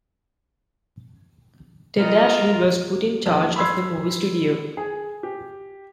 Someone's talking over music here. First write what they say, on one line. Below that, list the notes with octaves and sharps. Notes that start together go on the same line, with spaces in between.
Ted Ashley was put in charge of the movie studio.
G3 F4 A#4 D#5
A#1 F5
B5 C6 E6 G#6 C7
G#4
G4